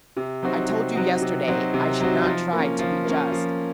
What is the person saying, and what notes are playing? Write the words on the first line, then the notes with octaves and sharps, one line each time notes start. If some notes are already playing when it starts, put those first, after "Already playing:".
I told you yesterday I should not try to be just.
C3
F#3 C4 D#4 F#4
C3
F#3 C4 D#4 F#4
C3
F#3 C4 D#4 F#4
C3
F#3 C4 D#4 F#4
F3
A#3 C#4
F3
A#3 C#4
F3